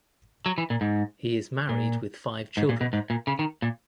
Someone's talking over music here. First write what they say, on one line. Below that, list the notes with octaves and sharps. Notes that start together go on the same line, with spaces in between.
He is married with five children.
F#3
E3
A#2
G#2
A#2
G#2
A#2
B2
G#2
A#2
C#3
D#3
A#2